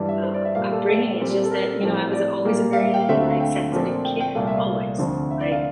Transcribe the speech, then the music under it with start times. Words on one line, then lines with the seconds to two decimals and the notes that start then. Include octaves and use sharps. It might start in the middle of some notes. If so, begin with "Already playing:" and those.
uh, upbringing, it's just that, you know, I was always a very, like, sensitive kid, always, like
Already playing: G2 E3 G3 D5
0.09 E5
0.23 C5
0.34 D5
0.45 E5
0.55 A#2 G3 A#3 F5
0.72 A4
0.87 A4
1.19 A#2 G3 C4
1.44 A4
1.51 A#4
1.83 A2 F3 C4
2.13 D5
2.45 A#2 G3 A#3
2.73 F5
2.77 E5
2.94 G5
3.01 F5
3.08 D2 D3 A3 C4 E5
3.17 F5
3.30 F5
3.40 G5
3.72 A#2 F3 A3 C4
4.05 G5
4.20 G5
4.35 C2 A#2 A3 F5
4.47 E5
4.58 F5
4.98 D2 D3 F3 C4
5.31 E5
5.41 D5
5.52 F5